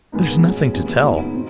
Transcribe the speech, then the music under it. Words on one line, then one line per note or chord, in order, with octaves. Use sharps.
"There's nothing to tell."
G#2 D#3 G#3 B3 D#4
B2 G#3 C#4
D#2 C#3 E3 G#3 B3
F#2 C#3 F#3 B3 D#4
B2 C4